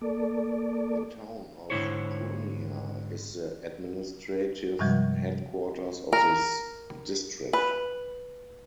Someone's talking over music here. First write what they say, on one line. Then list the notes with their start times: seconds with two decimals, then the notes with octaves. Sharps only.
The town of Purnia is the administrative headquarters of this district.
0.01 A#3 A4 D5
1.70 G#2 D3 A3 E4 C5 C#5
4.79 G2 C3 F3 G3 G#3
6.13 A#4
7.53 B4